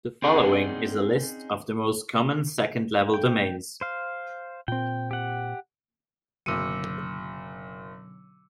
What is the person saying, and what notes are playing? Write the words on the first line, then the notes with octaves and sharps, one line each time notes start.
The following is a list of the most common second-level domains.
C4 C#4 D#4 G#4 D5 F#5
G5
C5 F5
A#2 C4 G5
G4 F#5
F#1 B2 D3 F#3 D6 E6 C#7 D#7